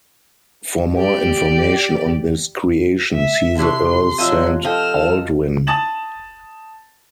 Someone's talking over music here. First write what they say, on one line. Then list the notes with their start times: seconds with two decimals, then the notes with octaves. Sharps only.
For more information on this creation, see the Earl Saint Aldwyn.
0.96 G4 D5
3.13 E5
3.59 C3 D4 E4 C6 C#6
4.18 F3 F#3 D#5 E5 F#5
4.65 F3 A4 D#5 G5 F6 E7
5.67 A5 D#6 A6 E7 F#7